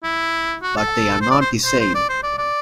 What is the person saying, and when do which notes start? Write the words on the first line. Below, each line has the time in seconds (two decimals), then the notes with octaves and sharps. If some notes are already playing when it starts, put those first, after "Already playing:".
But they are not the same.
0.03 E4
0.62 F#4
0.77 A4
1.21 C5
1.30 D5
1.41 C5
1.65 C5
1.80 C5
1.95 D5
2.09 C5
2.23 D5
2.38 D5